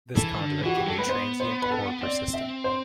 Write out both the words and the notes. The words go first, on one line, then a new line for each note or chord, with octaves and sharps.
This conduit can be transient or persistent.
E3 A4
D3
E3 F#4
G4
F#3 A4
C4 B4
B3 C5
C5
B4
A4
C4 D5
E5
C5